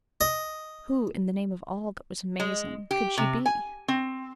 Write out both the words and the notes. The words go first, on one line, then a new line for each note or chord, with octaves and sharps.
Who, in the name of all that was amazing, could she be?
D#5
G#3
G4
C3
G#5
C4